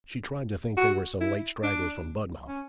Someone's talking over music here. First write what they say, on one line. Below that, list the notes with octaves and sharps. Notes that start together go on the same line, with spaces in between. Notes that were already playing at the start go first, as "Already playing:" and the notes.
She tried to think they were some late stragglers from Budmouth.
F#4
E4
D4
C#4